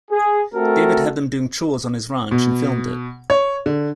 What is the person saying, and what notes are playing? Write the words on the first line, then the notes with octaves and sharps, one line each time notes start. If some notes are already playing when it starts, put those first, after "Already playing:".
David had them doing chores on his ranch and filmed it.
G#4
A3 C4 F#4 A4 A#4
B2
C#5
D3